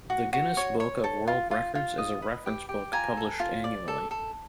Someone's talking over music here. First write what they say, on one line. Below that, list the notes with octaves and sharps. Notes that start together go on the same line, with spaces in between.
The Guinness Book of World Records is a reference book published annually.
F#4
F#4
C#5
C#5
A4
F4
F4
F4
D#5
B4
G4
G4
F4 G#5 A#5
A4
F4
D5
A4
A4